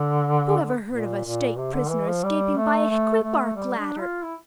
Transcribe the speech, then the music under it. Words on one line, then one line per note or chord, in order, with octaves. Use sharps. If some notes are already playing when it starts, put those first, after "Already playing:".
Who ever heard of a state prisoner escaping by a hickry-bark ladder?
Already playing: D3
A#2
A#2
C3
D3
E3
F3
G3
A3
A3
A3
G3
D4
F4
E4